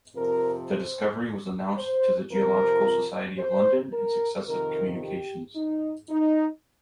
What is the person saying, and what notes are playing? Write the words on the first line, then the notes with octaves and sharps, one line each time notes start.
The discovery was announced to the Geological Society of London in successive communications.
F2 C3 F3 A#4
C5
C5
F2 C3 F3 A#4
C5
A#4
F2 C3 D#3 A#4
G4
D#4
D#4